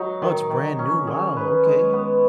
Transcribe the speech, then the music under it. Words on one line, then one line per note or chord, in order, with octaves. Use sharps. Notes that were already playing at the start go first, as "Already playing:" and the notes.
Oh, it's brand new, wow, okay.
Already playing: F#3 D#4
D#3
D#3
C#4
G#4
B4
G#3
B3